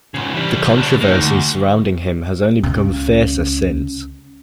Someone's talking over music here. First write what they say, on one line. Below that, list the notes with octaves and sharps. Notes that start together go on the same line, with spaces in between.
The controversy surrounding him has only become fiercer since.
G#2 C#3
E3 G3
B2 D4
A#3 D#4
D2
C#2 C#3